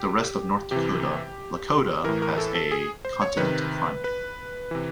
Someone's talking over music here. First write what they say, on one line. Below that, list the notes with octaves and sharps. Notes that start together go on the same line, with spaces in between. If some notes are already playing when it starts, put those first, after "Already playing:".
Like the rest of North Dakota, Lakota has a continental climate.
Already playing: G4
C3 E3 G4
A2 E3 A#4
A#4
A4
A4
G#4
C5
C#5
C3 D#3 B4
B4
C3 E3